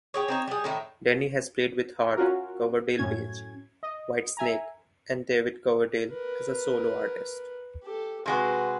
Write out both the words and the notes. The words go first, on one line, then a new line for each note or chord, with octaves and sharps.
Denny has played with Heart, Coverdale-Page, Whitesnake, and David Coverdale as a solo artist.
G4 G#4 C#5
C4 D#4 C#5
G3 G#4
A2 D#3 A3
C#4 F4 F#4 A#4
F#2 A2 C#4 G#6
D#5
E5 G#5 A#5
A#4 B4
G4 A4
C3 G#3 F#4 G#4 B4